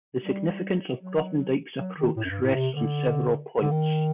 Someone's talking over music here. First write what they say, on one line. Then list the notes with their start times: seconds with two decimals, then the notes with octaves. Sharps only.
The significance of Grothendieck's approach rests on several points.
0.24 G3
1.01 F#3
1.78 F#3
1.97 D#3
2.17 A2
2.24 F#2
2.29 G2
2.42 A2
2.55 C3
2.74 D3
3.62 D3
3.71 D#3